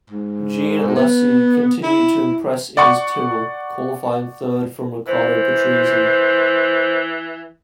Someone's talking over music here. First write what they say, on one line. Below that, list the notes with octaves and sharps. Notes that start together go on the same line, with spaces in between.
Jean Alesi continued to impress in his Tyrrell, qualifying third from Riccardo Patrese.
G#2
B3
E4
D5 F#5 C#6
E3 C5